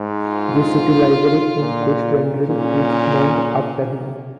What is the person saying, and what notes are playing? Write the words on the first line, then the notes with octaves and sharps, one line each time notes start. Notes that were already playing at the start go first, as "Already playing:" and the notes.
The city library in Kyustendil is named after him.
Already playing: G#2
F4
A#2
A#2 C#4